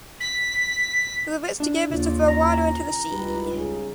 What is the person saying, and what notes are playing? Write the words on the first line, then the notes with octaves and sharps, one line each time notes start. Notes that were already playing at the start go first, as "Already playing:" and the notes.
For the rich to give is to throw water into the sea.
B6
D4
D#2 C#3 F4 D5
C#4 A#5
C#2 G3 G4 B4
C#3 D#4